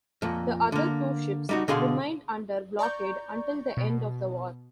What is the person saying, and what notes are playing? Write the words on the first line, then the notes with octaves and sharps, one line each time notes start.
The other two ships remained under blockade until the end of the war.
F2 A#2
D3 A#3
G3 D#4 F#4
B2 D3 G#4 F5 C6
D5 A#5 C#6 G6
B2